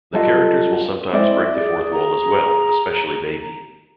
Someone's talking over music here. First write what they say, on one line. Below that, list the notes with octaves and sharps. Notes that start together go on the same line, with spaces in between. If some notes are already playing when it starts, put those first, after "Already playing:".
The characters will sometimes break the fourth wall as well, especially Baby.
F#3 G3 F4 A4 D#5 F5
G#3 C4 E4 D5 E5
G#4 D5
A#5